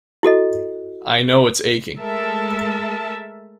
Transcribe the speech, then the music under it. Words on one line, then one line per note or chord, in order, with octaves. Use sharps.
I know it's aching.
E4 F#4 A4 D#5
G#3 A3 A4 A#4 E5 A5